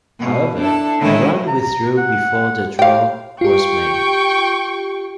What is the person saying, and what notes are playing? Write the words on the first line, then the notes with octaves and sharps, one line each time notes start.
However, Iran withdrew before the draw was made.
B2
D4 E4 A4 A5
D3 D#3 G#3 A3 C#4 E4
A#5
F#5
G4 F5 G5
F4 G4 G5 C#6